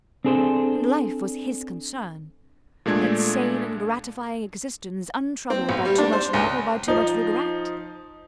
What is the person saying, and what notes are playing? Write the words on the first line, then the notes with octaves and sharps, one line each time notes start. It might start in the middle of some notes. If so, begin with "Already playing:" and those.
And life was his concern: that sane and gratifying existence untroubled by too much love or by too much regret.
C4 D4 G#4 A4 C5
A#2 G#3 A3 D4 G#6
C4
B1
G3
D4
C5
C#2
F3 D#4